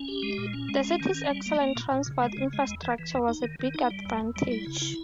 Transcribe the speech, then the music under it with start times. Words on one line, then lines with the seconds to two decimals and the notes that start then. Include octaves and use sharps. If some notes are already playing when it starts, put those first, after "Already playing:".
The city's excellent transport infrastructure was a big advantage.
Already playing: C#4
0.08 G4
0.22 G#3
0.38 A#2
0.53 C#4
0.69 G#3
0.84 C#4
1.00 D#3
1.14 C#4
1.30 G3
1.46 A#3
1.61 A#3
1.75 A#2
1.91 A#2
2.06 C#3
2.22 G#3
2.37 C#3
2.53 G#3
2.67 E2
2.83 E3
2.98 E3
3.14 E2
3.28 D#4
3.44 D#3
3.59 D#3
3.74 D#4
3.91 G3
4.05 E2
4.21 E2
4.36 G3
4.52 E4
4.66 C#3
4.82 E4